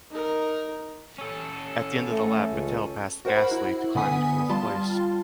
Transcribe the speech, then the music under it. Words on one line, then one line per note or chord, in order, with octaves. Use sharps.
At the end of the lap Vettel passed Gasly to climb into fourth place.
D#4 A#4
C#4 A4
A3
C#2
F#4 A#4 C5 F#5 B5
E4
D3 B3 B4 G#5 D#6 B6
G3 F4 A5 C6